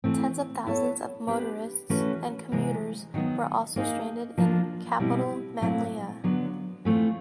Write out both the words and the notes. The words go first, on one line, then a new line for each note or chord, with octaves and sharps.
Tens of thousands of motorists and commuters were also stranded in capital Manila.
E3 A3 C4
B3 E4 A4 C#5
B3 D4 G4 B4
E3 A3 C#4 F#4 B4
C3 E3 G#3
D#3 F#3 B3
A#3 D#4 G#4
F3 A#3 D4 F4
B2 G3 C4 E4
A#2 F#3 A3 C4 E4
D3 F#3 B3
E3 A3 C4 F4